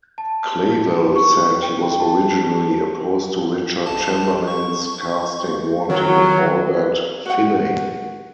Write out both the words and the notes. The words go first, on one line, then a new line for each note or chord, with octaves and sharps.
Clavell said he was originally opposed to Richard Chamberlain's casting, wanting Albert Finney.
A5
C#6
G5
A5
A#1 A5
C#6
D#3 F#3
F#4 F#5